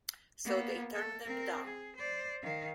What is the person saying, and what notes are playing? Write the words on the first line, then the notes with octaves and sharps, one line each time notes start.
So they turned them down.
A#3 B3
A4
C4 A#4
G#4
C5 D5
D#3 F5